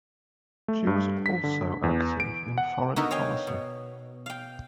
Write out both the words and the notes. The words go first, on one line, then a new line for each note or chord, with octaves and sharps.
She was also active in foreign policy.
A3
G2
B6
D3
E2
D7
F#5
D3 B3 D#4 F#4 A#4 E5
C#5 F5 G5 G#5
B2
F5 G5